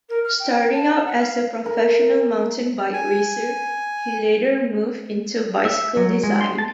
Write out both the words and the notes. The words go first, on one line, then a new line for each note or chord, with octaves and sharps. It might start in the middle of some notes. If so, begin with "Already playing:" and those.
Starting out as a professional mountain bike racer, he later moved into bicycle design.
A#4
F6
G5
A5
F#5
F5
A#4
G#5
E5
F#3
G#3
C6
A5